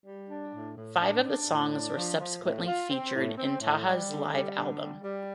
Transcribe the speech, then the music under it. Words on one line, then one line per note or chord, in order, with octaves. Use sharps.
Five of the songs were subsequently featured in Taha's live album.
G3
D4
A2
A2
D4
D4
A2
D4
F3
F3
A2
F4
C4
A2
C4
A2
G3
D3
G3
D3
G3
G3